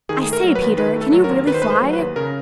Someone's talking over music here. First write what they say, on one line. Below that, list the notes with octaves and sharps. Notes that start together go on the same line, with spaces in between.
"I say, Peter, can you really fly?"
D#3 G#4
A3
A#4
F#3
B4
D#2
D#3 B4
A3
A4
F#3
A#4
D#2
D#3 B4
C5
B4
A3
C5
F#3
B4
D#2
C#3 A#4